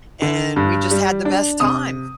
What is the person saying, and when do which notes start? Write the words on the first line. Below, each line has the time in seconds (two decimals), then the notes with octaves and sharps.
and we just had the best time.
0.22 D3
0.56 G2
0.91 G3
1.25 D4
1.60 C3 D#6